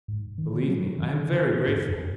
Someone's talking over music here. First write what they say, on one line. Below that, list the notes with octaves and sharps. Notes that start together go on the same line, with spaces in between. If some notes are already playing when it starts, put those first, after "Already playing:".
Believe me, I am very grateful.
G#2
D#3
F#3
D#3
C#3
G#2
F#2